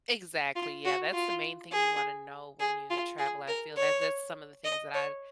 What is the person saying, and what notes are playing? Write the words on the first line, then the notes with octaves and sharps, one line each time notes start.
Exactly, yeah, that's the main thing you wanna know when you travel, I feel that that's some of the things that I'd
F4
F#4
F4
G#4
G#4
F4
G#4
A#4
C#5
D#5
C#5